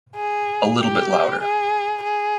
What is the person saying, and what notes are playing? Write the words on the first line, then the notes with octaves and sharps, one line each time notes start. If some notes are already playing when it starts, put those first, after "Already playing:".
A little bit louder.
G#4
G4
G#4
G#4